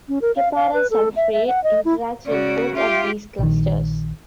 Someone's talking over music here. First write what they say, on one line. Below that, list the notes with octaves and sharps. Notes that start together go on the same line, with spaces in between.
Heparan sulfate interacts with both of these clusters.
C#4
A#4
F5
F5
B4
A4
E5
E5
F#5
D#5
E4
C#3 F#4 D5
F4 G4 E5
A#1 D#3